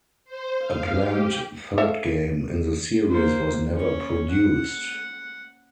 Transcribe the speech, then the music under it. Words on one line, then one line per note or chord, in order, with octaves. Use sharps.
A planned third game in the series was never produced.
C5
F5
G4
A4 E5 F5
A#3 C5
C#4 C#5
F#5